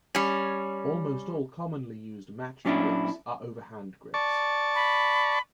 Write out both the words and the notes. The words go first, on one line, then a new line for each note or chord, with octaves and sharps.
Almost all commonly used matched grips are overhand grips.
G3 C#4
A#2 F#3 C#4 D4 E4
D5 A5 C#6
B5